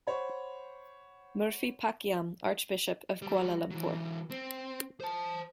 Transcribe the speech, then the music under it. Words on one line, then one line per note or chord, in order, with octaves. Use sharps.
Murphy Pakiam, Archbishop of Kuala Lumpur.
C5 C#5 F#5 B5
F#3 G3
E3 F#3
C4
C5 A5